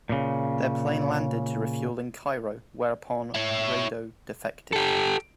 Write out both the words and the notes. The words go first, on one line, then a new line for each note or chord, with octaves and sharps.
Their plane landed to refuel in Cairo, whereupon Rado defected.
A#2 C#3
E4 C#5
G4 A4